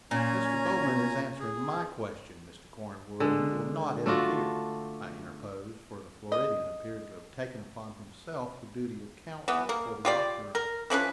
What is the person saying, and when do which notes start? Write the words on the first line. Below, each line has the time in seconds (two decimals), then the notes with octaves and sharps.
"Mr. Bowman is answering my question, Mr. Cornwood, and you will not interfere," I interposed, for the Floridian appeared to have taken upon himself the duty of counsel for the octoroon.
0.11 A#2 C#4 G#5 A#5
1.40 G#4
3.20 D3 G#3
4.06 A3 D4 F4 F#4
6.32 D#5
9.48 E3 B3
9.69 A#3
10.05 F4 G4 D5
10.55 A#4
10.90 E3 F3 C#4 B4